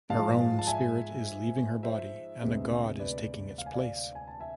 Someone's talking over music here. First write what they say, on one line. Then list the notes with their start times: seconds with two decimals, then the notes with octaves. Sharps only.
Her own spirit is leaving her body and a god is taking its place.
0.10 G#2 F3 G#3 F5 A5
0.59 A5
0.67 E5 G#5
1.83 C5 E5
2.42 D2 C3 G#3 B3
3.00 B4 D5
3.58 F5
3.66 G#5
3.74 D5 F5
4.15 G#5
4.28 A5
4.40 E5 G#5